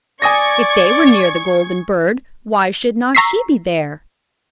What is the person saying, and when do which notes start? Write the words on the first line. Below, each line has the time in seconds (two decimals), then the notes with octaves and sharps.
If they were near the golden bird, why should not she be there?
0.22 D5 G#5 C#6 D#6 G#6 A#6
3.15 A#5 C#6 E6 B6 C7